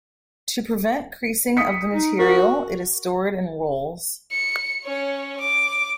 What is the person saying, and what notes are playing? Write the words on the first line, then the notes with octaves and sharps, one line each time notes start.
To prevent creasing of the material, it is stored in rolls.
D#6 B6 C#7
D#4
F#4 A#4
C#7
C#4 C#5
D6